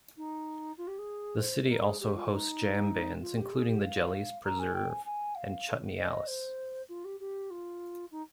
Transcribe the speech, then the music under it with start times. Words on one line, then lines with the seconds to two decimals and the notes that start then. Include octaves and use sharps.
The city also hosts jam bands, including the Jellies, Preserve, and Chutney Alice.
0.17 D#4
0.78 F4
0.88 G4
0.98 G#4
1.39 C5
1.65 C5
1.70 A#4
1.85 G#4
2.00 G4
2.15 F4
2.30 D#4
3.22 F4
3.38 G4
3.53 G#4
3.68 G4
3.83 F5
4.45 A#5
4.59 G#5
4.74 G5
4.90 G#5
5.06 G#5
5.36 F5
5.97 D#5
6.27 C5
6.89 F4
7.05 G4
7.20 G4
7.50 F4
8.11 D#4